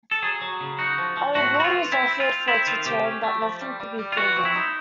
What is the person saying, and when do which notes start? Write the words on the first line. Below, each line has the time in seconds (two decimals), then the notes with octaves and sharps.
A reward was offered for its return but nothing could be proven.
0.11 A4
0.22 F#3 G#4
0.41 F#3
0.61 C#3
0.79 D#4 F#4
0.98 F3
1.17 F3
1.35 A2 F#4
1.54 C4
1.60 F#4
1.64 F4
1.74 E3
1.92 C4 E4
2.11 C4
2.20 F4
2.29 C4
2.48 C4 E4
2.67 D#3 F4
2.86 C3 G4
3.04 C#4
3.23 A3
3.42 F3
3.61 G3
3.80 G3
3.99 G3
4.12 F4
4.17 E3 F#4
4.36 C4
4.45 E4
4.55 D#4